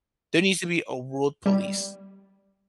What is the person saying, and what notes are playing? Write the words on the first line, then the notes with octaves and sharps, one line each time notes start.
There needs to be a world police.
G3